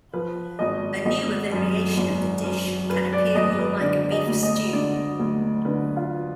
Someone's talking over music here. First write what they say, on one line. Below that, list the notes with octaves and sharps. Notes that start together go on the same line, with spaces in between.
A newer variation of the dish can appear more like a beef stew.
F3 B4
G#1 D#5
G#1 D#5
F#2
G#1
F#2
F#2 B4
D5
G#1 D#5
B4
D3 D5
D#5
D2
D#5
D3 D5
D2
D3 B4
F4